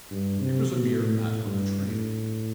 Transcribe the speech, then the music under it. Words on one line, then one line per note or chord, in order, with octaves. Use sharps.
It was a mere matter of training.
G2
C3
B2
A2
G2
A2